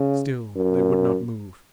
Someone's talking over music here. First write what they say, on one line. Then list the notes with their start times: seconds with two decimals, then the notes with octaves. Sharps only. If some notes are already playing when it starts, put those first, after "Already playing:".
Still they would not move.
Already playing: C#3
0.56 F#2